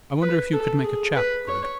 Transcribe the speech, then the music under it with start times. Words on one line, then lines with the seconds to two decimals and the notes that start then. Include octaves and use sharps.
"I wonder if you could make a chap good?"
0.22 B4
0.54 A4
0.84 G#4
1.16 B4
1.48 C#5